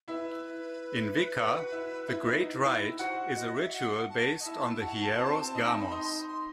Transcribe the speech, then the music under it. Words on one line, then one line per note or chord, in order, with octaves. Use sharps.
In Wicca, the Great Rite is a ritual based on the Hieros Gamos.
E4 B4 E5
F#4 F#5
E4 E5
E4 E5
D#4 D#5
E4 E5
F#4 C5 F#5
D#5
E5
F#5
A5
D#5
E4 E5 A5
F#4 F#5
C4 C5
D#4 D#5
B5
D#4 D#5 C6
C6